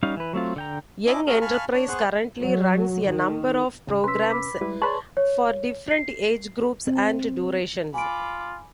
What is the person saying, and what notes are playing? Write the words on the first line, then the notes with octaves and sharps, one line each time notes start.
Young Enterprise currently runs a number of programmes for different age groups and durations.
G3 C#4 D#4 F5
E3 B4
F#3 A3 C4 F4
D3 G5 A#5
C#4 D4 E4 D#5 D6
A3 C#4 F#4 G#4 A#4
F5 G#5 A5 B5 C#6 F6
D4 C#5
B3 G#4 B4 C5 C#6 F#6
F#3
D#3
G#2 C#3
C3 C#4 B4 C6 E6 B6
B5 D6 B6
G3 G#3 E4 B4
G#4 B4 C#5 D5 A5 C6 C#6 F#7
C#5
C7
C4
F4 G#5 B5 D6 D7